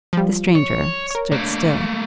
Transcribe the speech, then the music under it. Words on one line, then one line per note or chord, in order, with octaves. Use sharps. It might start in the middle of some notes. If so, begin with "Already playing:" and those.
The stranger stood still.
F3 G3
C#5
A#4 C#5
A3 A#3 D4